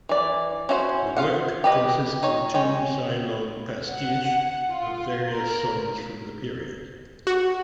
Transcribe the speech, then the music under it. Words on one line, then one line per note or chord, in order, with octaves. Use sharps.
The work consists of two side-long pastiches of various songs from the period.
E3 D5
C#4 E4 F#4 A#4 C5
F4 F5 F#5
G4 B4 D#5
D#4 C#5
G#3 C#5 G5
F#5
F4
A#4
F#4